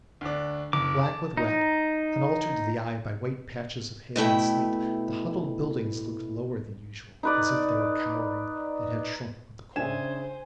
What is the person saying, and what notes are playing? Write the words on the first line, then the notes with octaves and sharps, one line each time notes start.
Black with wet, and altered to the eye by white patches of hail and sleet, the huddled buildings looked lower than usual, as if they were cowering, and had shrunk with the cold.
D2 D4
F#1 D6
A5
D#4
B2 A3 E4 G5
D#4 B4 D5
C#3 D4 C5 E5 G#5 E7